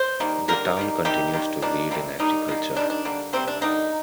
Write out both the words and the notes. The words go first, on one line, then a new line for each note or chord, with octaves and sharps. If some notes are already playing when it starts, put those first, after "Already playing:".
The town continues to lead in agriculture.
Already playing: C5
D#3 G3 A#3
D3 G3 A#3 A#4
D#3 G3 A#3
C3 D#3 G3 A#3 G4
D#3 G3 A#3
D#3 G3 A#3 D4
C3 G3 A#3
D#3 G3 A#3 D#4
D#3 G3 A#3
D#3 G3 A#3 D4
D4
D3 G3 A#3
C3 G3 A#3 C4
D4
D3 G3 A#3 D#4